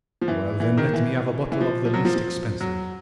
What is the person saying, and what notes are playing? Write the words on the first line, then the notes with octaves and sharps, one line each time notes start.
"Well, then, let me have a bottle of the least expensive."
F3
E3
E3
D#3
E3
E3
F3
F3
F#3
F3
F3
F#3